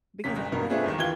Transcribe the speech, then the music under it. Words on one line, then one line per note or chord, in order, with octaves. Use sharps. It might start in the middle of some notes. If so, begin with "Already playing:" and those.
because I feel like
E1 D#2 C3 C#4 B6
G1
E1 G2 B2 A#4
A3 B3 C4 D4 F4 G#4
G#1 D#2 D#3
D#2 E3 F4 G#6 G7